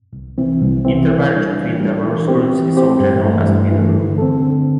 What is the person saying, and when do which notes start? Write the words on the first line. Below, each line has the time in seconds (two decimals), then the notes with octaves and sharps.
Intermarriage between diverse groups is so general as to be the rule.
0.13 C2
0.38 C3 E3 C4
0.61 C2
0.85 C3 E3 C4
1.08 E3
1.32 G3 D4
1.56 E3
1.80 G3 D4
2.04 E3
2.28 C4 G4 C5
2.52 E3
2.76 C4 G4 C5
3.00 G2
3.24 E3 A3
3.47 G2
3.71 E3 A3
3.94 D3
4.18 C4 A4
4.42 D3